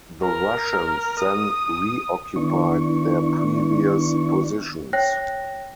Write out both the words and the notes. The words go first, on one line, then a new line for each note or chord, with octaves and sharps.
The Russians then reoccupied their previous positions.
A#4
D#6
D#3 B3 D4 E4 C#6
C#5 G5 F#6 A#6